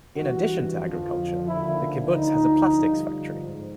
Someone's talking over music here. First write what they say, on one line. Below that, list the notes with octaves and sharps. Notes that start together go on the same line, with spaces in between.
In addition to agriculture, the kibbutz has a plastics factory.
G2 E3 F#4
F2 D3 F3
D#2 D3 F3 E4
D2 D3 F3 D#4
G2 D3 F3
G#2